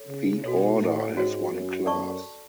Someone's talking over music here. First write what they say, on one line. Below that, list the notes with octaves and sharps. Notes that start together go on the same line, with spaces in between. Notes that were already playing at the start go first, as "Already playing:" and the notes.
The order has one class.
Already playing: A4 C#5
C#3
B2 F#4 A4 C#5
A2
G#2 C#4 F#4 C#5
F#2
F#2 A4 D5 A5 C#6